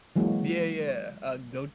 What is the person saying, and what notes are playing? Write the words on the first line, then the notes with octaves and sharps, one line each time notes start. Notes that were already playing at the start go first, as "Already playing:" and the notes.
Yeah, yeah. Uh, Goyte,
E3 F#3 G#3 A#3